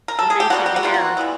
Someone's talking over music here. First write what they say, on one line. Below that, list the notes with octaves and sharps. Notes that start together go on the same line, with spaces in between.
amazing to hear.
A#4
A4
G#4
G4
B2 G3 A#3 F#4
G4
F#4
B2 G3 A#3 F4
F#4
E3 G3 B3 E4